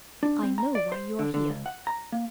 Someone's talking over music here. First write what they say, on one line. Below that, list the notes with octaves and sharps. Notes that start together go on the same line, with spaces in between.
'I know why you are here.
D4
C4
A#5
D5
C5
D3
D3
C#2
F#5
A#5
A#3